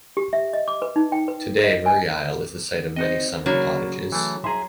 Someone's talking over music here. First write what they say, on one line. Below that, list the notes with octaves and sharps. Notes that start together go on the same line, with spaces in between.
Today Murray Isle is the site of many summer cottages.
G4
E5
D#5
D6
B4
D#4
G5
B4
D#5
G#5
C4 D#4 F#4 C5 D#5
C#3 F#3 A#3 D4 B5 C#6
E3 A3
G#4 E5 A#5 C6